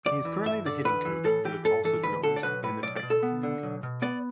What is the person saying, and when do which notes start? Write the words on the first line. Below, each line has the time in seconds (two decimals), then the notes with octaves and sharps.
He is currently the hitting coach for the Tulsa Drillers in the Texas League.
0.06 E2 D5
0.25 E3
0.45 G2 E5
0.66 D3 D5
0.85 E2 B4
1.05 E3
1.24 A2 A4
1.45 E3 G4
1.64 G2 A4
1.84 E3 A4
2.03 D2 B4
2.23 D3 A4
2.36 D5
2.43 B1 B4
2.63 A2 B4
2.83 B1 D5
2.97 D5
3.03 B2
3.10 A4
3.23 B3
3.43 D3
3.63 B1
3.83 B2
4.02 B3 D5